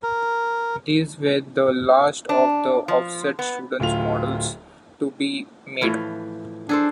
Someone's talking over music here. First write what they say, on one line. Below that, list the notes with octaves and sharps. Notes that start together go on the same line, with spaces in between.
These were the last of the offset student models to be made.
A#4
D4
F3
B3
D1 A3 F4 F7
A2 E3 F3
D4 G#4 A4 C5